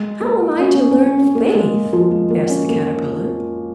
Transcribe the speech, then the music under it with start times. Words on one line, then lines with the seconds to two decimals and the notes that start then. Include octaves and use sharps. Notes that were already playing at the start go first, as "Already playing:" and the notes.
"How am I to learn Faith?" asked the Caterpillar.
Already playing: G#3
0.21 A#3
0.60 C#4
0.75 C#4
0.91 C#4
1.06 C#4
1.22 C#4
1.35 A#3
1.55 G#3
1.74 G#3
1.93 F3
2.11 G#3
2.30 A#3
2.50 C#4
2.69 A#3